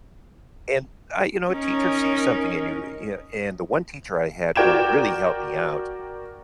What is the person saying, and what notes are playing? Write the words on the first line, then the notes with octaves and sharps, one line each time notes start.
and I you know, a teacher sees something in you, you know, and the one teacher I had who really helped me out,
C#4 D#4 A#4
F#4 A#4 D5 G5 G#6 E7